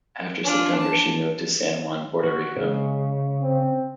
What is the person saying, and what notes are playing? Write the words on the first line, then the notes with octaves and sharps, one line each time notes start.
After September she moved to San Juan, Puerto Rico.
D4 F4
A5
F#4
C#3 G#3
C4